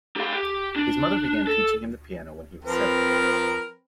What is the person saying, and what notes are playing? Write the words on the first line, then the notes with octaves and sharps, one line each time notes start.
His mother began teaching him the piano when he was seven.
G4 F5
G4
D4
A4
F3 C4 A#4 B4